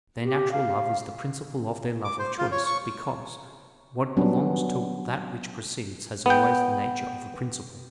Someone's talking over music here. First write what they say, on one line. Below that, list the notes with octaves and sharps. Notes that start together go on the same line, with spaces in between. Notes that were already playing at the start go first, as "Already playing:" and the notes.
Their natural love is the principle of their love of choice; because, what belongs to that which precedes, has always the nature of a principle.
G4
F5
D6
C5
F4
C#5
C#6
F#3 G3 B3 C#4 D4
B3 G5